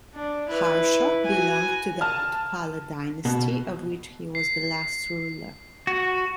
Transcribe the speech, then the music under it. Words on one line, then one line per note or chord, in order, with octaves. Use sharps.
Harsha belonged to the Utpala dynasty, of which he was the last ruler.
D4
E4 B4
F#4 G#5
A5 F6
B2
C7
F#4